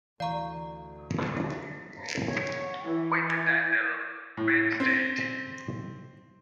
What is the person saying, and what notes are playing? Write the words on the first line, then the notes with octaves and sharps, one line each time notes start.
With the title Painstained.
D2 E3 D5 F5 A#5 C#6
C#5
E3
A2
C4